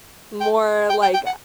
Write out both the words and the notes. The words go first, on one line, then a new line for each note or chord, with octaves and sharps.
more like a
G5
G5
G5
G5
F#5